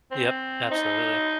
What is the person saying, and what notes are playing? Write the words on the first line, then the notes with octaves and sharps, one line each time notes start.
Yep, absolutely.
C4
D#4